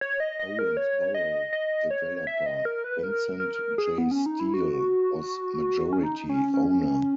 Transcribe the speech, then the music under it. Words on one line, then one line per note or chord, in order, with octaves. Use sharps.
Owensboro developer Vincent J. Steele was majority owner.
C#5
D#5
D#5
A#4
C#5
D#5
D#5
C#5
E5
D#5
A#4
B4
A#4
A#4
G#4
B3
C#4
D#4
E4
F#4
C#4
D#4
C#4
C#4